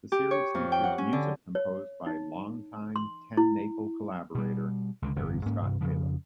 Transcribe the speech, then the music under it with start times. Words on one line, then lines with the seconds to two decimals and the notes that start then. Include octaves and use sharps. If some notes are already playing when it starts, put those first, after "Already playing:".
The series features music composed by longtime TenNapel collaborator, Terry Scott Taylor.
0.12 G4
0.31 C#5
0.55 F2
0.72 G5
0.84 F#5
0.98 C#4
1.13 D3
1.55 C#5
2.06 D#4
2.96 C6
3.37 E4
4.35 B2 G3
5.02 C#2 D3
5.16 G1 F2 C3
5.46 G#2 A#3 C#4
5.62 G2 C3
5.81 F2 C#3 F3